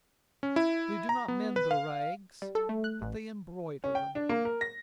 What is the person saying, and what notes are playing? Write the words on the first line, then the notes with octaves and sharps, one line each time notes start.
They do not mend their rags, but they embroider them.
C#4
E4
A#5
B3
B4
F5
G3
A4
A3
F#6
A1
C#4
G5
D4
A#3
A#4
A#6